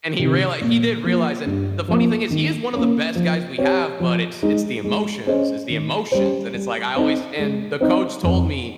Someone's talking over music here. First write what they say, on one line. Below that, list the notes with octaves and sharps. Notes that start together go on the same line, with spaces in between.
and he reali he did realize, and the funny thing is he is one of the best guys we have, but it's it's the emotions, it's the emotions. And it's like I always and the coach told me,
C3 D#3
A#2
F3 A#3 F4
G2
F3 A#3
D#3
A#3 C#4
F3
C4 G4 C#5
F3
G#3 D#4
G#3
C#4 G#4 C5 D#5
D#3
G3 C#4 G4 C5
G3
C4 D#4
G#3
C4 D#4
F2